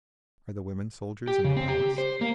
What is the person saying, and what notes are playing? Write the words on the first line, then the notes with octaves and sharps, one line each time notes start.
"Are the women soldiers in the Palace?"
G4
C#3
C4
G4
C5
A#3